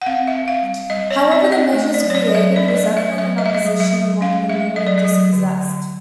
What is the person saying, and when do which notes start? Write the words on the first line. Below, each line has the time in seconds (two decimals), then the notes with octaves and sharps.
However, the measures created resentment and opposition among the newly dispossessed.
0.02 F#5
0.06 C4 F5
0.27 E5
0.35 C4
0.48 F5
0.62 G3
0.90 G3 D#5
1.11 C#5
1.18 C4
1.32 D5
1.45 C4
1.52 D#5
1.72 A3 D#5
1.94 D5
2.00 F#3
2.10 C#5
2.15 D5
2.28 F#3
2.35 E5
2.56 D4 D5
2.68 D5
2.76 D#5
2.83 A3
2.97 E5
3.12 F#3
3.18 E5
3.38 A3 D#5
3.46 E5
3.55 D#5
3.66 F#3
3.80 E5
3.93 F#3
4.21 C#4 F5
4.49 A3 E5
4.76 F#3 D#5
4.87 D5
4.98 D#5
5.05 F#3
5.33 D3
5.60 D3